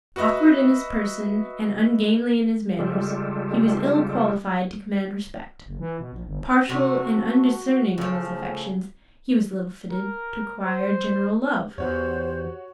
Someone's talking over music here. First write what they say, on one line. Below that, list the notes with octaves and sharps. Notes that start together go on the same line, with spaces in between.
Awkward in his person, and ungainly in his manners, he was ill qualified to command respect; partial and undiscerning in his affections, he was little fitted to acquire general love.
F#4 B4 D#5 E5
C#3 G3 G#3 F4 G4 A4
F#1
E3
B2
A#1
G1
C3 A3 F#4
A2 C#3 F3
A#4
C5
E2 F#4 G4 C5 C#5